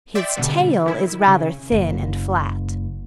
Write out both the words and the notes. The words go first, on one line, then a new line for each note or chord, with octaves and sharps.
His tail is rather thin and flat.
D5 E5 G5 C6
B2 D3 G3 B3
D#3 E4
C#3
F#1